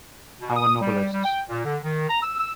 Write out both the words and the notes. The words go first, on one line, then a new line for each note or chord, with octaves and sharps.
Our novelists.
B2
D#6
G3
G3
G5
A#2
D3
D#3
A#5
E6
E6